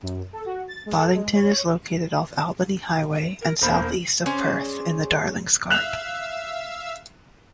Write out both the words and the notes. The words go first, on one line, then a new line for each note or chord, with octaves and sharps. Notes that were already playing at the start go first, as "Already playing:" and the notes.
Boddington is located off Albany Highway and southeast of Perth in the Darling Scarp.
F#2
A4
F#4
A6
G#3
A4
G#3
C#5
A#4
E1 A#3 C5 B5
C#4 G#4 C5 D5
E5 F5 E6 F#6 E7 F7